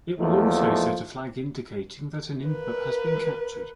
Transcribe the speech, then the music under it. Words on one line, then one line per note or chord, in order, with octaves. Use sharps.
It will also set a flag indicating that an input has been captured.
E2 F3 A3 A#3 D#4
A#4 B4